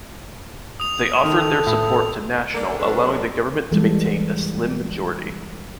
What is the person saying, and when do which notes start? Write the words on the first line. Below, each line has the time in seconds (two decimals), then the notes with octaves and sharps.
They offered their support to National, allowing the government to maintain a slim majority.
0.80 D#6 F7
1.23 D#3 A4
1.67 A2
2.54 A#3 D4 A4
2.79 F#3 G#3 C#4 D4 A4 B4
3.72 E3 G3 G#3 A4